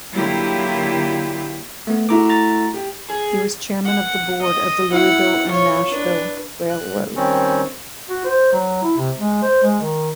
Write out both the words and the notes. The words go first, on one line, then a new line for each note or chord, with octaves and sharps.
He was chairman of the board of the Louisville and Nashville Railroad.
D3 F#3 A#3 E4 F4 G4
A3 B3
A3 E4 F#4 A#5 D6
A#5 A6
G4
G#4
F#5
D#5
E4 F#5
F4 C#5
D4 B4
F#6
D#3 G3 C4 C#4
F#4
C5
F#3
E4
C3
G#3
C5
G#3
D#3